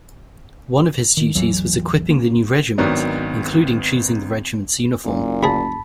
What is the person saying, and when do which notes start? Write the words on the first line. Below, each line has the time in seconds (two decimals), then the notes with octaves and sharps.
One of his duties was equipping the new regiment, including choosing the regiment's uniform.
1.17 D#3
1.35 A1 E2 E3 F#3
2.10 A#3 C#4
2.78 G#1 D#3 F#3 B3 D4 D#4
5.05 F#1 A#2
5.43 D2 G#4 A5 B5